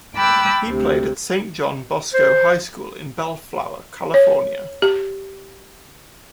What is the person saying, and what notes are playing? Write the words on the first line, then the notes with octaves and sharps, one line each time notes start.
He played at Saint John Bosco High School in Bellflower, California.
G5 A5 B5 D6 E6 F#6
D2 C3
C5
C#5
G4